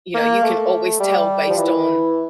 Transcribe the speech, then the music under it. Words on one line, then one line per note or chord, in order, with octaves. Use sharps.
you know, you can always tell based on,
A#3
A3
G3
F3
E3